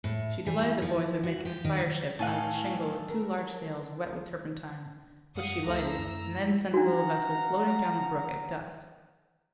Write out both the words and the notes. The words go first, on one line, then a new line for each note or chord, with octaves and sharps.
She delighted the boys by making a fire-ship out of a shingle with two large sails wet with turpentine, which she lighted, and then sent the little vessel floating down the brook at dusk.
A2
E3
F3
F#4
G4
D#3
A2 A4 F5 G#5 F#6
A#4
F#2 F5 F#5 D#6
C#2 A3 E4 A#5 E6
F#2
D4 F#4 F5 F#5 A#5